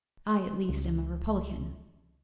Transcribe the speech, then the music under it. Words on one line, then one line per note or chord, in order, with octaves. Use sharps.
"I, at least, am a Republican!"
C#2